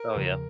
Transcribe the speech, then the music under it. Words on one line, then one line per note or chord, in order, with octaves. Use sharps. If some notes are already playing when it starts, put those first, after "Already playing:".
Oh, yeah.
Already playing: A#4
E2 C#3 F3